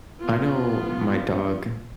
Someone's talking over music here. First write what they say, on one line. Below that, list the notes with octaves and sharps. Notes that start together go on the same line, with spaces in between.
I know my dog,
B3 F4